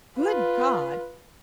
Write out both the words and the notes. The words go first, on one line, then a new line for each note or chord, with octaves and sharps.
"Good God!"
F4 B4